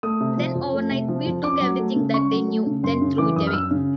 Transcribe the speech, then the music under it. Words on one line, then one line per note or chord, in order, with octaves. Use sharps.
Then overnight we took everything that they knew, then threw it away.
A3 D#6
C3
F3
F2
A3
C3
F3
F2
C#4 D6
F#3
A3
C#3
C#4 C#6
F#3
A3
C#3
F#2 C6
C#3
E3 D6
F#2 D#6
F6
F#2 E6
C#3